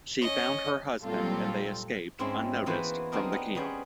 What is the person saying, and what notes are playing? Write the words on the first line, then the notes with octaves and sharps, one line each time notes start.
She found her husband and they escaped, unnoticed, from the camp.
C#4 D#5
A#2 F#3 G3 C4 F4 A4
G#2 G#3 C4 C#4 E4
E3 A#3 B3 E4 F#4 C5
B3 C4 D4 D#4 G#4 A#4
B3
G3 B3 C#4 G#4 C5 G5